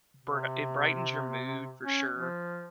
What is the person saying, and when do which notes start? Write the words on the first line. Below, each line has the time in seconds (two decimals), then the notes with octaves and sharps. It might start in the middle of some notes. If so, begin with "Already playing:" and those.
bri it brightens your mood for sure
0.23 C3
1.85 C#4
2.14 F3